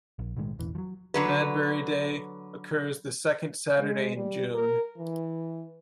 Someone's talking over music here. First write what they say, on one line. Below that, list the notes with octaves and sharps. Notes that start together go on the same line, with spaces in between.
Madbury Day occurs the second Saturday in June.
A#1
B1 A2 D#3 G#3
E1 A1 E3
F3 F#3
D3 F#3 B4
G#3
G3
A#4
E3